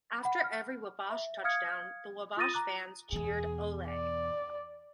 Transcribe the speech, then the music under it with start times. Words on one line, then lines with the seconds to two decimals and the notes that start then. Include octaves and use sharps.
After every Wabash touchdown, the Wabash fans cheered Ole!
0.23 F#5 B5
0.44 F6
1.10 E5
1.44 F5 D#6 F6 G#6 C#7
2.37 F4 D#6 A6 A#6 D#7
2.54 A#5 D6 F#6
3.12 E2 B2 G#4
3.88 D5